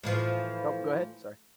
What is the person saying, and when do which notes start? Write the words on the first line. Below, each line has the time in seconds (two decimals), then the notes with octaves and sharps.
Oh, go ahead, sorry.
0.03 A2 E3 F3